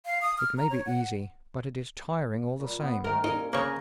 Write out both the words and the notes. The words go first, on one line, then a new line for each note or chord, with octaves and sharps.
"It may be easy, but it is tiring all the same."
F5
D#6
F6
A#5
C#5
F#5
A#2 G3
B3
D#3 A3 A#4
C2 A#3 C#4 D#4 A#4
C#3 A#3 B4 C#5 G#5 A#5